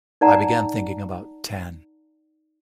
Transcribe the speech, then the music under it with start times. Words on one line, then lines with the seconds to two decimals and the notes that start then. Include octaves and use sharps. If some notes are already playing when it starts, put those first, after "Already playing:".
I began thinking about tan.
0.21 D#4 A#4 D5 F#5 A5 A#5